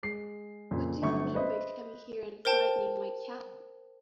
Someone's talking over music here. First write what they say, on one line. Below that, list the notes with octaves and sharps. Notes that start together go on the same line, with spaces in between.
What do you mean by coming here and frightening my cow?
G#3 C7
F2 A#2 C#3
G1 F#3 A3 C#6
B4 C5 D#5 E5
A#4 C5 G5 A5